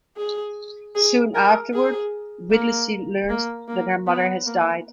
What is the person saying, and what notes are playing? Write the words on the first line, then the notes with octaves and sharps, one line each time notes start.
Soon afterward, Whittlesey learns that her mother has died.
G#4
G#4
A#4
G#4
A#3
A#3
A#3
B3
A#3